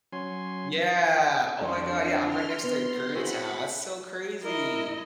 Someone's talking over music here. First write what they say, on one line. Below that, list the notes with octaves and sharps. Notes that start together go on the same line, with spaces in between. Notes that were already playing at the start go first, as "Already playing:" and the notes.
Yeah. Oh my god, yeah, I'm right next to Koreatown, that's so crazy.
F#3 C#4 G#5 C6
F2 C#4 D4 C6
E4 C6 F6
B3 C6
C4 E4 F#4 G#4 F#5 B5
E4 A#4 D#5